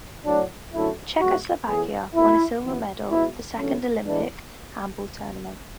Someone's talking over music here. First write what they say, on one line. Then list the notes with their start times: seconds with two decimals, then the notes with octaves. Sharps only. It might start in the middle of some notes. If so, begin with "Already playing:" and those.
Czechoslovakia won a silver medal at the second Olympic handball tournament.
0.25 A2 F#3 A3 D4
0.73 F#2 D3 F#3 A3 E4
1.20 B2 G#3 B3 F#4
1.67 A2 E3 B3 G#4
2.15 B2 A3 E4
2.63 F#2 E3 B3
3.10 B2 G#3 B3 E4
3.58 E2 D3 F#3 A3 C#4
4.05 A2 E3 G#3 B3 D4